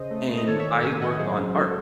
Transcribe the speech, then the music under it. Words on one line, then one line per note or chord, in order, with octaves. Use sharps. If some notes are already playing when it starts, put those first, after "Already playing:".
And I work on art.
Already playing: C#3 C5 D#5
A3
A3
D#5
D#3 A4 C#5
C#5 E5
D#3
A2 E5 G#5
A2 D#5 F#5
F#3 G#4 C5
C#3
G#3 F#4 A4